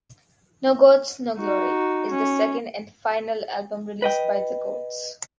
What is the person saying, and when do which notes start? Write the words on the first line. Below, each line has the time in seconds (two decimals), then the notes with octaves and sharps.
"No Goats, No Glory" is the second and final album released by The Goats.
1.38 D#4 F#4
2.11 C#4
4.02 B4 D#5 G5